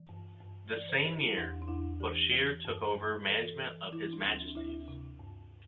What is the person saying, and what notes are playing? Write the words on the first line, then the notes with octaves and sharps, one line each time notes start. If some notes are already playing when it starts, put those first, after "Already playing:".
The same year, Bourchier took over management of His Majesty's.
Already playing: E3
G2
G2
E3 D5
C5
E3 G4
E4
E2 D4
D4
E2 E4
E3 G4
E3
G2
G2
E3 A4
E3
E3 E4
D4
D2
D4
D2 E4
C3
G2